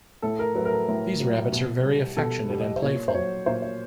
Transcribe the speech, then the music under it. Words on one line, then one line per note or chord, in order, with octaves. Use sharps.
These rabbits are very affectionate and playful.
A2 A4
A#4
F#3 B4
A#4
A4
A2
F#3
B2
G3
B2 A4
G3
D#5
C5
A#2 C#5
C5
F#3 C#5
A#2 C5
C#5